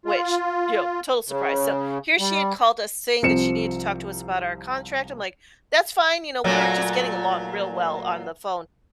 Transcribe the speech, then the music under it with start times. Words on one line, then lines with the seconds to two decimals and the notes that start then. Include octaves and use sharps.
Which, you know, total surprise, so, here she had called us saying that she needed to talk to us about our contract, I'm, like, "That's fine," you know, we were just getting along real well on the phone
0.06 F4
1.28 C#3
2.19 G3
3.22 C2 F3 C4 C#7 E7
6.44 A#2 F#3 A3